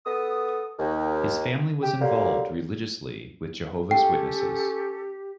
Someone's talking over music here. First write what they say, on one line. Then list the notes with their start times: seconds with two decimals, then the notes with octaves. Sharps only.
His family was involved religiously with Jehovah's Witnesses.
0.05 B3 A4 D#6
0.78 D#2
1.82 G4
2.00 A#2 D3 F#3 G3 A#3
3.91 C#4 G4 A4 G5